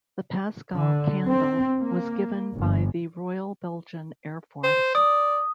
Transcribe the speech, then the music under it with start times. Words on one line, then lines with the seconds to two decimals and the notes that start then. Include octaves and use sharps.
The Paschal Candle was given by the Royal Belgian Air Force.
0.72 D3
1.27 C4
1.78 A#3
2.53 G1
4.64 C5
4.95 D5 D#6